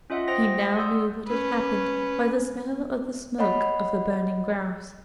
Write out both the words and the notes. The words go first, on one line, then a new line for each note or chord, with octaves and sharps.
He now knew what had happened by the smell of the smoke of the burning grass.
C#4 F4 D#5 E5 F#5
C5 E5 F#5 G5 D#6 A#6
D5 F#5 C6 D#6 E6 G6
C#4 B4
C#5 D#5 F#5 B5